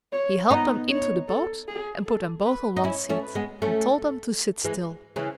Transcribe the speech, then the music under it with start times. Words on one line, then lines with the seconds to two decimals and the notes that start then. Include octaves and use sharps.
He helped them into the boat and put them both on one seat, and told them to sit still.
0.12 C#5
0.51 B3 D#4 D#5
0.90 C#5
1.28 A4
1.68 G#4
2.06 A4
2.45 B4
2.76 D#4
2.84 C#4 E4 C#5
3.09 A3 C#4
3.22 B4
3.35 G#3 B3
3.61 A3 C#4 A4
4.64 E3 G#3
5.16 C#3 E3